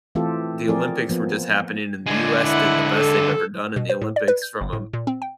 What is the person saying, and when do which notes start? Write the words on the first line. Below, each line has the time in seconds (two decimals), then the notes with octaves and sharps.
the Olympics were just happening, and the US did the best they've ever done in the Olympics from a W
0.15 E3 A3 C4 F4 G4 A4
0.68 F3 C4 G#4 A#4 D5
1.09 F3 A#3 B3
2.06 D3 G#3
2.44 E4 F#5
2.95 A4
3.76 B2
3.89 C5
4.02 A2
4.16 D5
4.28 B4
4.42 G6
4.61 G1
4.73 A2
4.93 A#2
5.07 C4
5.22 G5